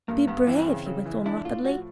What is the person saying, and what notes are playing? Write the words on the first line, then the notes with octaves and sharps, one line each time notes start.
'Be brave,' he went on rapidly.
G2 A#3
G2 B3
E3 C4
C#3
C#3
E3
D4 E4
A2 F4
F3 F#4